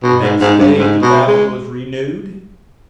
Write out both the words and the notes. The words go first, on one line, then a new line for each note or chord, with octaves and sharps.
The next day the battle was renewed.
B2
G#2
G#2
G2
G#2
B2
G#3